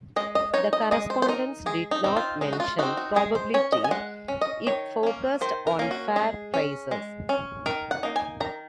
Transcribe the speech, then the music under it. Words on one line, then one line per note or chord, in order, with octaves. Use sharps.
The correspondence did not mention "probability"; It focused on fair prices.
G#3 D#5
D#5
D#4 C#5
D#5
G#3 D#5
C5
C5
D#4 A#4
G#3 G#4
D#4
C4 D#4
F4
G#3 D#4
F#4
F4
C4 D#4 F#4
F#4
G#3 G#4
C5
C#4 C#5
D#5
G#5
G#3 F#5
C#4
D#5
D#3 C#5
A#3 C#4
D#3 C5
A#4
A#3 C#4
F#4
G#3 G#4
C#4
G#3
C#4
D#3 A#4
F#5
A#3 D#4
G#5
D#3 A#5